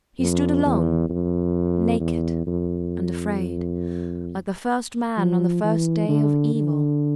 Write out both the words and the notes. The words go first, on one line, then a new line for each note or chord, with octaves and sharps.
He stood alone, naked and afraid, like the first man on the first day of evil.
F2
E2
F2
E2
F2
F3
E3
D3
D3